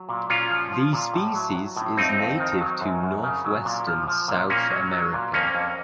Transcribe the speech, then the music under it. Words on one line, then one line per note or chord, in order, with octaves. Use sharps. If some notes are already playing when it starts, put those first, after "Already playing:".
The species is native to northwestern South America.
Already playing: F#3
A#2
A#2 C#4 F4
F3
F3
A#2
A2
F#3
F#3
A2
F2 C4 D#4
F2
D#3
F#3
F#2
F#2
C#3
F#3
A#2
F3
F3
A#2
A#2 A#3 C#4
F#3
F#3
A#2
F2 A#3 C#4
F2